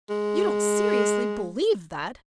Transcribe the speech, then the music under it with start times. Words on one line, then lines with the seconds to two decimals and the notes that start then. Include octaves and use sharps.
"You don't seriously believe that?"
0.10 G#3